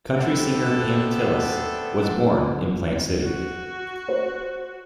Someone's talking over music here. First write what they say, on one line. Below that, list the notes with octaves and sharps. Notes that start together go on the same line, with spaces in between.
Country singer Pam Tillis was born in Plant City.
A3 B3 C4 D4 A4
F#4
C5